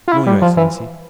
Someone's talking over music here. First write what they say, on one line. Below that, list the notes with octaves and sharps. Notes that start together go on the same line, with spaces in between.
"No, your excellency."
F4
E4
G3
F3
E3